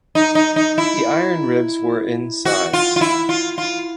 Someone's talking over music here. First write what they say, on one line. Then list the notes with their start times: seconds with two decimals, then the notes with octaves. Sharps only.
The iron ribs were in size.
0.15 D#4
0.35 D#4
0.56 D#4
0.78 E4
2.45 F#4
2.73 F4
2.96 F4
3.01 E4
3.29 F4
3.58 F4